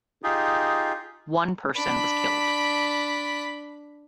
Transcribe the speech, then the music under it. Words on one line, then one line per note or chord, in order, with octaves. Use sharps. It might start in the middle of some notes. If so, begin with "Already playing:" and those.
One person was killed.
D#4 F4 G4 G#4
D4 B5